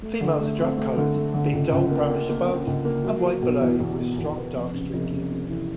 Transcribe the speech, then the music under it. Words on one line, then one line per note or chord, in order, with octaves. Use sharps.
Females are drab-coloured, being dull brownish above, and white below with strong dark streaking.
A3
D3
A3
C4
A3
D3
A3
D3
C#2
C#2
A#3
A#3
A#3
A#3
C#2
A#3
F#3
F#3
B2
E2
E2
B2
E2
B3
F1
C#3
F1
C#3
F2
E3